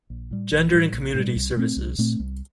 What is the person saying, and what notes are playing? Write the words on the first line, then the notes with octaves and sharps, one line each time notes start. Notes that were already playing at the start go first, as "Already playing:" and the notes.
Gender and Community Services.
A#1
A2 G3
A#1
A2 G3
A#1
A2 G3
C2
A#2 A3 C4
C2
A#2 A3 C4
C2